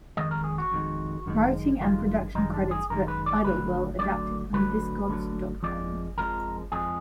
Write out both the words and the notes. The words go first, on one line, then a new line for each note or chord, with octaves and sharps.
Writing and production credits for "Idlewild" adapted from Discogs dot com.
F2 D#3 G#3 D#5
A#4
G#4
F#4
F2 D#3 G#3
F#2 D#3 G#3
F#2 D#3 G#3 F4
F#2 D#3 G#3 D#4
D4
G#4
F#2 D#3 G#3 A#4
B4
D5
D2 D3 F#3 B4
D2 D3 F#3 D5
D2 D3 F#3 B4
D2 D3 F#3
F2 F3 G#3 D5
F2 F3 G#3 A#4
F2 F3 G#3 G#4